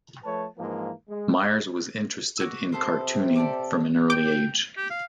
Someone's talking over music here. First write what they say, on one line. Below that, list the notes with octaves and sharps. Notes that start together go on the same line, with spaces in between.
Myers was interested in cartooning from an early age.
F3 A3 B4 C#5 A5
G#2 E3 F3 A#3
G#3
F#4 D6 E6
C3 B3 A4 C5
G4 A4 D5
G5 D6 G6 D7
G4
F5